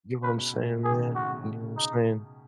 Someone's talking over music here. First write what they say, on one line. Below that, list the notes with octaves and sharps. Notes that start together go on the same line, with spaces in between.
You know what I'm saying, man? You know what I'm saying?
C#3 B4
B2
A2
G#4
D#3
C#3
B2
A2 F#4
C#3
B2
C#3
B2
C#3
C#3 D#4